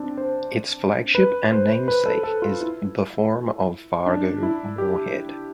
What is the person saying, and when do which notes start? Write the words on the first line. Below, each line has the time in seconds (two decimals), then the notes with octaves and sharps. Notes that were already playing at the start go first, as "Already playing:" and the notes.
Its flagship and namesake is "The Forum of Fargo-Moorhead".
Already playing: C4 D4
0.17 C5
1.15 B4
1.52 C5
1.88 B4
2.06 A4
2.24 A4
2.42 F4
2.61 E4
4.06 D4
4.43 E4
4.78 G4